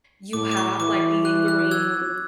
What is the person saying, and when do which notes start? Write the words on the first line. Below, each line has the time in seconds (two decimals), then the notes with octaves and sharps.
you have like lingering,
0.33 A2 D6
0.51 D6
0.57 C#6
0.80 E3 D6
1.25 F#6
1.48 F#6
1.71 E6 G#6